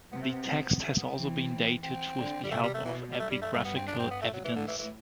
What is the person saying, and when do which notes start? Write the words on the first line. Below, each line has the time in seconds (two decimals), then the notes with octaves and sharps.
The text has also been dated with the help of epigraphical evidence.
0.12 C3 B3
0.22 A3
0.33 B3
0.81 A3
0.98 B3
1.15 E3 C4
1.83 C4
2.17 D3
2.44 G3
2.51 C3 A3
2.63 G3
2.74 A3
2.85 B2 E3
3.13 G3
3.20 G2 A3
3.30 G3
3.42 A3
3.53 G2 A3
3.65 B3
3.76 C4
3.88 D4
3.99 C4
4.11 B3
4.22 A3
4.33 F#3
4.44 E3
4.56 A2 D3
4.68 E3
4.79 E3